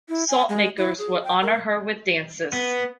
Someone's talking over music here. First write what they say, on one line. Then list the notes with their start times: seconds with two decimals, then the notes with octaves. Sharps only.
Salt makers would honor her with dances.
0.09 E4
0.29 G#5
0.49 G#3
0.78 E4
0.98 G#4
1.24 G5
1.42 A#4
2.53 B3